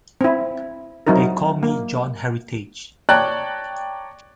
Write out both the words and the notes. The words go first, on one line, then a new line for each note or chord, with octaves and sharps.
They call me John Heritage.
C4 E4
F#3 C4 D#4 E4 A#4
A#3
C#5 D5 G5 A5 A#5 F#6